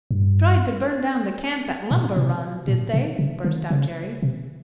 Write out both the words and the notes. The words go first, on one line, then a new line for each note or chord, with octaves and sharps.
"Tried to burn down the camp at Lumber Run, did they?" burst out Jerry.
G2
A#2
C3
A#2
C3
C#3
D#3
C#3
C3